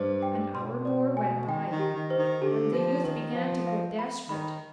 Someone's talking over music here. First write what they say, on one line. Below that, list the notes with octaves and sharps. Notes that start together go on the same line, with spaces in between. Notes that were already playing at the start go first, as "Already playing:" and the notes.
An hour more went by, and the youth began to grow desperate.
Already playing: G2 C5
G5
B2 C6
D5
G#5
D#3 G5
F3
D#3
G4
D#3
C5
D#3
D3 G4
F3 B4
D#3 B4
F3 F5
F5
B5
D#3 B5